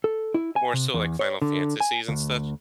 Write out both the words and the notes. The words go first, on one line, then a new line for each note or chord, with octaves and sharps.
more, so, like, Final Fantasies and stuff.
A4
E4
G#5
C3
E2
C#5
D3
G#5
D2